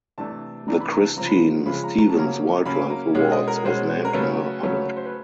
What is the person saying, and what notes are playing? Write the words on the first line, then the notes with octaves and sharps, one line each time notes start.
The Christine Stevens Wildlife Awards was named in her honour.
C3 E3 A3 D4 A5
C3 E3 A3 D4 A#5
B5
A#5
A5
C#3 F3 G#3 C4 A#5
B5
A#5
C#3 F3 G#3 C4 B5
A#5
A#5
A5
C#3 F#3 A#3 C#4 A#5
C#3 F#3 A#3 C#4 B5
A#5
B2 G#3 C#4
D#5
A#4
B2 G#3 C#4 C5
A#4
C#3 F#3 A3 C#4 B4
C#3 F#3 A3 C#4
C5
B4